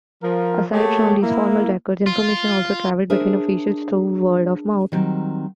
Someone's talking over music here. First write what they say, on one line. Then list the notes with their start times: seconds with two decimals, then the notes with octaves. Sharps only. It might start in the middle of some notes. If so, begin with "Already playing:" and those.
Aside from these formal records, information also travelled between officials through word of mouth.
0.23 F3 A#4
0.73 A3 A#3 G4 G#4 C#5 A5
1.22 A#3 E4
2.06 F4
3.10 D4 G#4 A#4 C5 E5
4.92 D#3 F#3 G3 C4